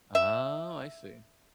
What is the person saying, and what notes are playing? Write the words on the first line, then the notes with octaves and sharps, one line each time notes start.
Oh, I see.
E5